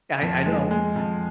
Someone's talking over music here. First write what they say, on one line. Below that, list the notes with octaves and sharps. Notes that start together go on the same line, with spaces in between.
I I know, I
F2
G#3
G#3
F2